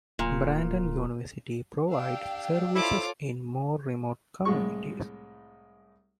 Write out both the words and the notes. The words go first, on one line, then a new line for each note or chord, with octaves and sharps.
Brandon University provides services in more remote communities.
D1 A#2
D4 G4 F5 G5 E6
E4 F4 A4 C5 C#5 D6
C2 A2 G#3 C#6